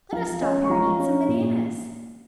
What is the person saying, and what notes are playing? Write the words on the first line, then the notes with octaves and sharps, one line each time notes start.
Let us stop here and eat some bananas.
F3 F5 A#5
C#4 D#5 G#5
C#6
F3 F5 A#5
C#4
A#2